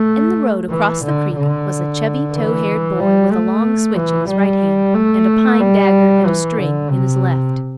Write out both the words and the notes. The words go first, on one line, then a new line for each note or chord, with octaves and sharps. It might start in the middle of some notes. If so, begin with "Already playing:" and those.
In the road across the creek was a chubby, tow-haired boy with a long switch in his right hand, and a pine dagger and a string in his left.
Already playing: A3
E3
D3
D3
E3
G3
A3
E3
G3
A3
G3
E3
D3
C3